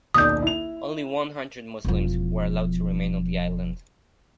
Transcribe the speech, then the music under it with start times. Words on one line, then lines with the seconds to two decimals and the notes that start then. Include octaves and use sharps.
Only one hundred Muslims were allowed to remain on the island.
0.14 D#1 B1 D5 D#6 G6
0.42 E4 F7
1.85 E1 F3